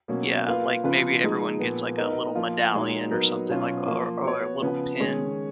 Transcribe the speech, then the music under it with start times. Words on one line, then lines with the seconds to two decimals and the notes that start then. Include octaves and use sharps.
Yeah, like, maybe everyone gets, like, a little medallion or something, like, o or or a little pin?
0.08 B2 F#3 A#3 C#4
0.46 A#3 F4 B4 F5
0.84 C#3 F3 B3 F4 B4
1.22 F3 G#3 D#4 G#4
1.59 A#2 F3 B3
1.98 B3 D#4 A#4 D#5
2.35 F3 A#3 F4
2.73 A#2 G#3 D#4 F#4 C#5
3.10 F#3 B3 D#4 A#4
3.49 B2 F#3 C#4 F4
3.86 F3 A#3 F4
4.25 B3 F#4 C#5
4.62 C#3 F3 B3
5.00 D#3 G#3 C#4 G#4 C#5